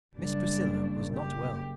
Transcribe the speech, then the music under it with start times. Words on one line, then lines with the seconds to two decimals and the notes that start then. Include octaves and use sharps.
Miss Priscilla was not well.
0.16 F#1 G3 D4
1.15 G4